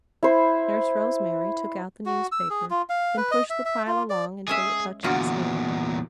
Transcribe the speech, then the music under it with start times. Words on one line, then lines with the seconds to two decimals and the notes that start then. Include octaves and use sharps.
Nurse Rosemary took out the newspaper; then pushed the pile along, until it touched his hand.
0.23 E4 C5
2.06 F#4
2.32 E6
2.50 G#4
2.70 F4
2.89 F5
3.17 B4
3.31 D#5
3.50 E5
3.65 E5
3.87 F4
4.10 D5
4.48 G#3 C#4 G#4 E5
5.04 E2 A#2 D3 F4 F#4